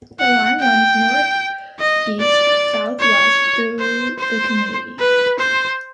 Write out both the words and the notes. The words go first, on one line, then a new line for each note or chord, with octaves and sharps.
The line runs northeast-southwest through the community.
F#5
G5
D#5
D5
C#5
C5
C5
B4
C5